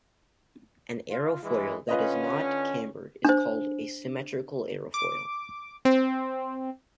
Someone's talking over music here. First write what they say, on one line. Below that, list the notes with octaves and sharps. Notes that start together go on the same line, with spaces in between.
An aerofoil that is not cambered is called a "symmetrical" aerofoil.
F4
G2 E3 G#3
D3 C#4 F4 B4 D#5
D4 C5
D6
C4